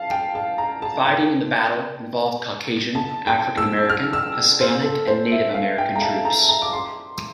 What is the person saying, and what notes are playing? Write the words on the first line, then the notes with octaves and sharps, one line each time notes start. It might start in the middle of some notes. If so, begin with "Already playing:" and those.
Fighting in the battle involved Caucasian, African-American, Hispanic, and Native American troops.
Already playing: F5 A5
G5
A5
A#5
A5
G5
A5
G5
E6
F6
E6
C5
A4
C5
E5
F5
G5
A#5
A5
A#5
A#5
D6
C6